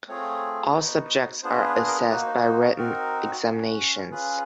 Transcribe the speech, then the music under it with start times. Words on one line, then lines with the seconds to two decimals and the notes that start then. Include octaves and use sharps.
All subjects are assessed by written examinations.
0.08 A3 C4 F4 G#4 C#5
0.75 B3 D#4 F#4
1.43 B3 D4 F4 G#4 C5
1.66 B4
1.87 A#4
2.09 A#3 D#4 F#4 B4
2.26 C5
2.43 C5
2.61 A#4
2.77 C4 D#4 F#4 A#4
3.45 C#4 F#4
4.11 C#4 F4 G#4 B4